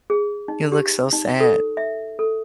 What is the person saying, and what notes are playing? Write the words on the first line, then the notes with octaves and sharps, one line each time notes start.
"You look so sad.
G#4
D#4
G4
D#4
A4
E5
A4